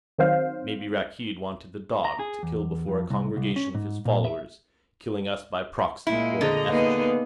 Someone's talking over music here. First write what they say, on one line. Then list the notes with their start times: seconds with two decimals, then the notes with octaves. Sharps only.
Maybe Rakkeed wanted the dog, to kill before a congregation of his followers, killing us by proxy, or in effigy.
0.18 D#3 F#3 C4 C5 F5
2.05 A#5
2.19 G#4
2.43 E2
2.88 F2
3.10 C2
3.37 C2
3.56 C#4
3.75 G#2
4.05 A#2
4.25 E5
6.07 A#2 G#3 A#3 E4
6.41 D3 G#4 D#5 A#5
6.70 A#3 B3 D#4 G#4